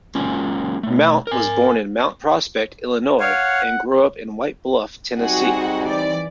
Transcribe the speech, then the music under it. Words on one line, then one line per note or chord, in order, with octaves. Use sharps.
Mount was born in Mount Prospect, Illinois and grew up in White Bluff, Tennessee.
F#3 G#3 A#3 C#4 F4
B2 A3
A#4 G#5
C#5 F5 F#5
G3 C4 D#4 F#4 G#4 F#5
E3 D5